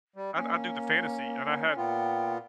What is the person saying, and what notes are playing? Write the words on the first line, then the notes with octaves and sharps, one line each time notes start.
I d I do the fantasy, and I had
G3
A#3 C#4
A#2 B3 F4 G5